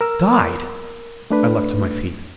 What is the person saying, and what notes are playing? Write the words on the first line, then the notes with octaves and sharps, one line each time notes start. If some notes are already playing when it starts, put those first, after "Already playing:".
"Died!..." I leaped to my feet.
A#4 E6
A3 D4 B4